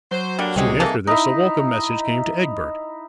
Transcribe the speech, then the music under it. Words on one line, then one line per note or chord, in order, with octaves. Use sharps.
Soon after this a welcome message came to Egbert.
F#3 C5
D3 G3 A#3 D4
C2 G3 G#3 C4 D#4 G4 G#4
E3 A#3 A4
D#4 E4